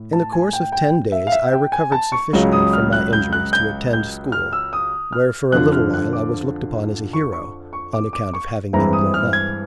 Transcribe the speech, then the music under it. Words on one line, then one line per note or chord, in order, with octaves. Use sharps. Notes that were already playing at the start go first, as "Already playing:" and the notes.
In the course of ten days I recovered sufficiently from my injuries to attend school, where, for a little while, I was looked upon as a hero, on account of having been blown up.
Already playing: A2
A5
G#5
G5
G5
E5
F5
E5
G5
G#5
A5
C#6
C#2 C#3 F#3
D#6
F6
F#6
G6
F#6
G6
G6
F6
E6
D#6
F6
F2 D3 F3 F#6
F6
F#6
D6
C#6
C#6
C#6
D6
D6
C#6
G2 E3 G#3 C4 E4 A#5
D#6
F6
G#6